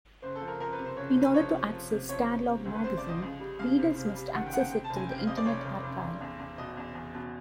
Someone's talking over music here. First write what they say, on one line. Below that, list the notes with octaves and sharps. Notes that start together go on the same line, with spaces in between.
In order to access Starlog magazine, readers must access it through the Internet Archive.
F#1 C5
A4
F3
A#4
F3 A#4
B4
C3
C5
F#1 C#5
C5
C3
B4
F3 C#5
C3
F3
C3
F3 C#5
C3
C3
D2
B4
C3 C5
D5
F3
D#5
C#2
G3
C#2 F5
C3
C3
G3
D#3 F#5
G5
C#2 F#5
G5
C3 G5
A5
F1
G#5
C3 G5
F5
C3 D#5
D5
F1 C#5
F1
F1
F1
E2
E2
B2 D#5
E2
E2
B2